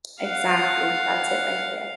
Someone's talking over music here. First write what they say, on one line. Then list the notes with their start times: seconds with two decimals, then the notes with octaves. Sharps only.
Exactly, that's it right there.
0.22 F5 F#5